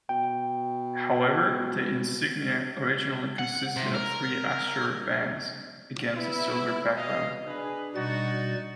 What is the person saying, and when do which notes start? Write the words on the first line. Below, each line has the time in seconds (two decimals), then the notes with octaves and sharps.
However, the insignia originally consisted of three azure bands against a silver background.
0.09 B2 G5
3.39 F#5
3.77 C3
3.95 A#4
6.16 B3 E4
6.97 B2 D#5 F5
7.47 D4 G#4 B4
7.95 B2 G3 D#4 F#4 A6